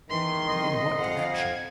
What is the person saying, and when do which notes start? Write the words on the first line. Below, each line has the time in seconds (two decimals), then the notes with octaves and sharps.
"In what direction?"
0.10 E2 D#3 E3 C6
0.48 C2 F2 D#5
0.98 F2 F5 F#5
1.34 G#6